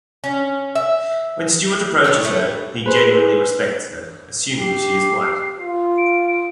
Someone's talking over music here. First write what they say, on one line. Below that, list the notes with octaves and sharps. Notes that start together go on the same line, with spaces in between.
When Stuart approaches her he genuinely respects her, assuming she is white.
C#4
E5
G3 G#3 A4 C#5
G3 A3
G#4 B4 C5
G4 C7
F4
D7